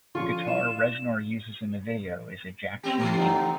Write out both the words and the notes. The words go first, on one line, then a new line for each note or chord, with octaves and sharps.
The guitar Reznor uses in the video is a Jackson Dinky.
D3 F3 C#4 F4 C#6
D#7
E4 D5 F5 E7
B3 C4 G4
E3 A3
D3 C4 D#4